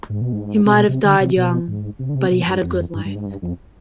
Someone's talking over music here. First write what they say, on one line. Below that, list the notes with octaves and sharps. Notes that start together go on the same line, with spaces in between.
He might have died young, but he had a good life.
G#2
B2
G#2
C3
B2
C3
D3
C3
B2
G#2
C3
D3
C3
B2
G2
F2
G2
G2
G#2
G2
F2